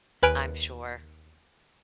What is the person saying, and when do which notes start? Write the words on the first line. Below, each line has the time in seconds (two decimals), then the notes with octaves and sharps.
I'm sure.
0.23 D#2 B4 G#5 F6 D7